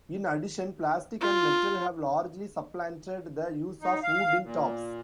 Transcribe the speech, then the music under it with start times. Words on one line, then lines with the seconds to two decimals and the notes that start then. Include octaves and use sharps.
In addition, plastic and metal have largely supplanted the use of wood in tops.
1.21 F4
3.82 D#4
4.03 F5
4.44 A#2